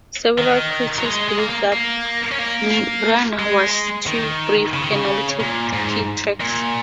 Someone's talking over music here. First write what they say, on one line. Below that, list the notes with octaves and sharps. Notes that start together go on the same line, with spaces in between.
Several critics believed that "Nirvana" was too brief, and omitted key tracks.
D#3
F#3
G#3
G#3
A#3
A#3
A#3
C#4
A#3
G#3
D#3
C#3
D#3
C#3
A#2
G#2
A#2